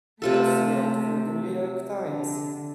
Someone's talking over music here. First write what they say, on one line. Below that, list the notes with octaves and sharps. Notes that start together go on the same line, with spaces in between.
He also wrote for "The New York Times".
C3 A3 F4 A4
D3